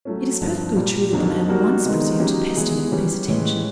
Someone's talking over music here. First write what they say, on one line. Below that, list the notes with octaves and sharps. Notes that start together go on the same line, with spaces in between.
It is perfectly true that the man once presumed to pester me with his attentions.
F#3 A3 C#4
G2 D3 F3 A#3
A#2 G3 A#3
F2 D3 F#3 A#3 D#4
G3 A#3 D#4 F#4 A#4
C3 D#3 G#3 B3 D#4
C#3 F#3 A#3 D#4 G4
E3 G#3 B3 E4 G#4
E3 G3 A#3 C#4
A2 E3 G#3 C#4